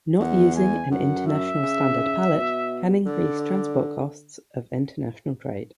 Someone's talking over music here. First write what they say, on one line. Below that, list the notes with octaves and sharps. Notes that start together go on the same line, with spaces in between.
Not using an international standard pallet can increase transport costs of international trade.
E2 F#5
G#5
F#2 F#5
E5
C#3
B2
D3 D5
D5